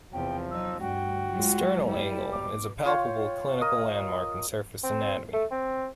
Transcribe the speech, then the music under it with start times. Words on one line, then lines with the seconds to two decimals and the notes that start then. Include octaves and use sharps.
The sternal angle is a palpable clinical landmark in surface anatomy.
0.13 E2 C3 F3 G5
0.51 F#3 D#4 E6
0.80 D2 G2 F#4 G5
1.30 F#3 G#3 F4
1.87 G3 E4
2.32 B2 D6
2.85 F4 C#5 G5 C6
3.61 A#4 D#5 D#6
4.83 C4
5.33 A3
5.51 C4